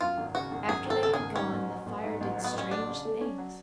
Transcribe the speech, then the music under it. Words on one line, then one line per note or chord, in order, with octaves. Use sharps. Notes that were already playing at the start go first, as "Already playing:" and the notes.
After they had gone, the fire did strange things.
F#2 F4
G#1
C#3 F#4
G#1
F#2 G#4
G#1
A4
C#3 A4
G#4
G#1
G#2 C#4
A1
F#3
A1
G#2
A1
F#3
B3
A1 C#4
F#3 D4
C#3
A3
C#4
F#3